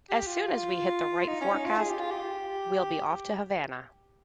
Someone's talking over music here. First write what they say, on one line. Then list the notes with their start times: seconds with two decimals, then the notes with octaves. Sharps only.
As soon as we hit the right forecast, we'll be off to Havana.
0.10 G4
0.26 F4
1.28 D#4
1.41 C#4
1.53 D#4
1.66 F4
1.78 G#4
1.89 G4
2.00 F4
2.10 G4